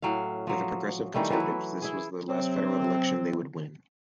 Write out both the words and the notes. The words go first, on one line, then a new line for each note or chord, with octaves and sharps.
For the Progressive Conservatives, this was the last federal election they would win.
A2 F#3 C#4 F5
F3 F#3
D#3 E3 G3 A3
E3 F#3 E4 B4
E4 G#4
C3 F#3 C4